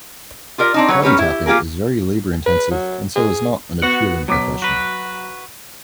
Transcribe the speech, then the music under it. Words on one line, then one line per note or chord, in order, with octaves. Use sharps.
Toddy tapping is very labour-intensive and so is not an appealing profession.
F4 G4 A#4 D5
C4 D4 D#4
F#3 B4 C#5
G3 C#4 G4 A#4 B4 C#5
E4 G4
A#3 F4 G4 G#4 A#4
B4
F#3
G#4
B3 F#4 F#5
B2 F#3 D6 B6
F#4 B4